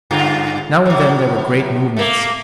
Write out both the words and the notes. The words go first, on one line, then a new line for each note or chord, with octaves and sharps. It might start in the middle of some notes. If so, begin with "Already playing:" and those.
Now and then there were great movements.
G2 D3 F4
A2 F#3
A3 A#3